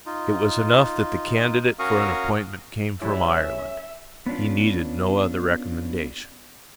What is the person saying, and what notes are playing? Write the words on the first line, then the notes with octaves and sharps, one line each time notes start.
It was enough that the candidate for an appointment came from Ireland: he needed no other recommendation.
D#4 F4
C#4 F#4 A#4 F5 C#6 D#6
F#3 G3 C#4 E4 E5
B3 C#4 D4 F4